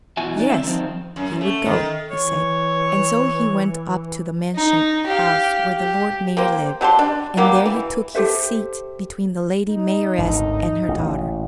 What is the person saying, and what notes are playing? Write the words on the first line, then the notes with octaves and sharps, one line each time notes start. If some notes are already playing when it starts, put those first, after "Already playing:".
"Yes, he would go," he said; and so he went up to the Mansion House where the Lord Mayor lived, and there he took his seat between the Lady Mayoress and her daughter.
B2 E3 F#4 E5 G#5
D#4 D5
F#2 C4 E5
D#3 F3 C4
F#2
A3
D#3
E3 C#5
D#4
G4 F5
G4
A#3 G4 C5
F#3 G4 A5 C6
D4
F#3 G3 A#3 G4
E3
G4 A4 C5 E5
D#4
G#1 D2 A2
A1 A#2